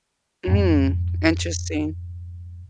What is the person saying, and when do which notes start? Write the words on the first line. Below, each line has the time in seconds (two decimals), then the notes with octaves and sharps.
Mm, interesting.
0.47 F2 G#2